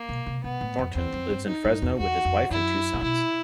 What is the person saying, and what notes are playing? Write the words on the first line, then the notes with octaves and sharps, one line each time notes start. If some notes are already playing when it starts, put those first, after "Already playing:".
Thornton lives in Fresno with his wife and two sons.
Already playing: A#3
B2
C3
B2 B3
A2
F2
E2 C4
F2
G2
D#4
G2
E2
E2 F#4
F2
F#2 E4
A#2
B2 E4